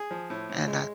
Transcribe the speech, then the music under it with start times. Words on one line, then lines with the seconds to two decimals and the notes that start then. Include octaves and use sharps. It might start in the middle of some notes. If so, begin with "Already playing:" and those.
and I I
Already playing: G#4
0.11 F3
0.30 A2
0.49 A2
0.67 G#3